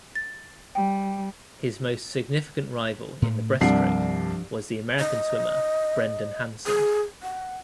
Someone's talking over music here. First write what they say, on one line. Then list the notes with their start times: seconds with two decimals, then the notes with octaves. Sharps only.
His most significant rival in the breaststroke was the American swimmer Brendan Hansen.
0.15 A6
0.75 G3 G5
3.22 A2
3.61 C2 G2 F3 D4 C7
4.99 D#5
6.67 G#4
7.23 F#5